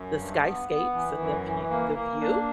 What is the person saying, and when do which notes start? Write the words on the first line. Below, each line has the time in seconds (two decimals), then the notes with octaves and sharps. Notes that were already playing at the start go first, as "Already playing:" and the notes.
the skyscapes and the fe the view.
Already playing: F#2
0.19 G2
0.44 B3
0.69 B3
0.94 E3
1.20 F#2
1.45 E3
1.70 A#3
1.95 A#3
2.21 D4